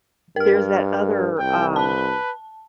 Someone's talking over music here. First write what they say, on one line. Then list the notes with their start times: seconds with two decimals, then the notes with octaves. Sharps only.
there's that other, um
0.36 G2 A#4 F6
1.39 C2 G5
1.76 B4 A5